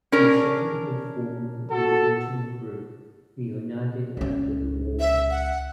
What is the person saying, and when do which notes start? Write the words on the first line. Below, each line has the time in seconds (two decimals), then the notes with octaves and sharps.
The seven who formed the original group reunited after the war.
0.12 C#4 D4 A#4
1.70 F#4 A4
4.17 C#2 C#4
5.00 E5
5.30 F#5